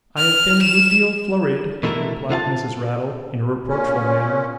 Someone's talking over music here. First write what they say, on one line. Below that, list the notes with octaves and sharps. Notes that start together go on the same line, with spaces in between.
'I have been a good deal flurried,' replied Mrs. Raddle, in a reproachful manner.
F6
E7
B2 D3 E3 A3 E4 A#4
D3 F4 F5 A5
A#2 C#4